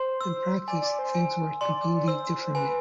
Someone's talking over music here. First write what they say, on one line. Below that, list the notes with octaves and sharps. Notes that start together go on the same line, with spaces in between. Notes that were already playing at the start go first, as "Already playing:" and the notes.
In practice, things worked completely differently.
Already playing: C5 C6
E6
D5 G#5
D5
C5
G#5
D5 C6
C5 E6
B4 G#5